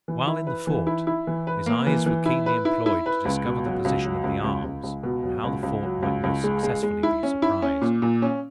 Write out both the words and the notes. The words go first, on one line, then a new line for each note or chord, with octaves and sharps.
While in the fort, his eyes were keenly employed to discover the position of the arms, and how the fort might most successfully be surprised.
E3
E4
B4
E3
E4
E4
E3
B4
A#3
E3
E3
E4
B4
E4
E4
B4
C#2
B2
F#3
C#2
F#3
C#2
C#2
C#2
C#2
B2
F#3
C#2
C#2
F#3
C#2
C#2
G#3
G#3
G#3
E4
C#4
E4
C#4
A#2
A#2
C#4